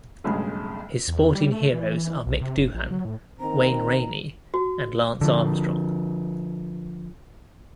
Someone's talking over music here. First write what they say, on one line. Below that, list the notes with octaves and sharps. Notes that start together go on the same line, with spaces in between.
His sporting heroes are Mick Doohan, Wayne Rainey and Lance Armstrong.
B1 G2 C#3 G#3 A3
E2
G3
A3
E3
B1
C3
F#1
A#1
F#3
A2
D#3 A#3 C4 A#5
F#4
D3 F3